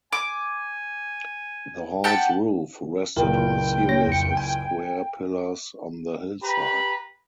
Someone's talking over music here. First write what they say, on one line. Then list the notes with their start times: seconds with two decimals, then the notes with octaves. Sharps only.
The hall's roof rested on a series of square pillars on the hillside.
0.12 G#5 D6
2.04 G4 F#5 A5
3.16 F#1 C#2 A#2 A#4 G5
3.89 A#3 C#5 A#6
4.08 F2 C#7
4.37 G#5
6.42 G4 B4 A#5 B5